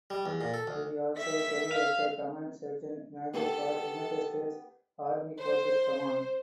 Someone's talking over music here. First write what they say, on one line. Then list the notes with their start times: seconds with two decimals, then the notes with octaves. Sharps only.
He also served as the command sergeant major for United States Army Forces Command.
0.10 G3
0.26 E2
0.41 A#2
0.54 A4
0.67 D2
1.18 E5 B6
1.71 F5
3.34 B3 G4 A4
5.41 C5